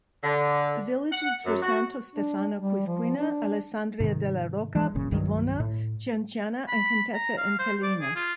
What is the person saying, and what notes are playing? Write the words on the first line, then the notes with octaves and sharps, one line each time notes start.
The villages were Santo Stefano Quisquina, Alessandria della Rocca, Bivona, Cianciana, and Contessa Entellina.
D3
F#5
F#2
F#4
D4
G3
F3
D4
G#2 C3 D#3
E3 G#3
F#1 A#2 C#3
C2 G2 D#3 F#3
A2
B5
A#5
F5
C5
D5
G#4
F4